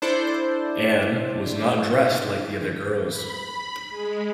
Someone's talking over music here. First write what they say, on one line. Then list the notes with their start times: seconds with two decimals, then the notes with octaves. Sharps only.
Anne was not dressed like the other girls!
0.02 D4 E4 A4 C5 D5
3.09 B5
3.89 G#3